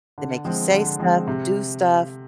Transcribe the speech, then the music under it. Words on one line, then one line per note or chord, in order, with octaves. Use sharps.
they make you say stuff, do stuff,
D3
F3 G#3 C4
D3
F3 G#3 C4
C3